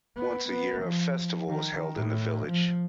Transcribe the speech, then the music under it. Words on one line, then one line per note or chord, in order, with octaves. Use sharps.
Once a year a festival was held in the village.
B3
B3
F3
D#3
A2
F3